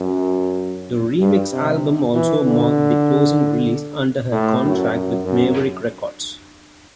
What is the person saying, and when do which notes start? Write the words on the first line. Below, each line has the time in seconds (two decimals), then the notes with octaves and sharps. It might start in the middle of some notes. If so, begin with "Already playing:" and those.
The remix album also marked the closing release under her contract with Maverick Records.
Already playing: F#2
1.21 G2
1.52 C3
2.14 E3
2.46 D3
4.32 A2
4.63 F#2
4.95 F#2
5.25 F#2